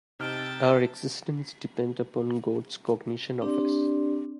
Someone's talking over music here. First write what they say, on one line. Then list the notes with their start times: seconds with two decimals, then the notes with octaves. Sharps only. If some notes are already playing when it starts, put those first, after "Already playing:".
Our existence depends upon God's cognition of us.
0.20 C3 D#4 G5 A5 F6
3.42 C4 D4 G4 D5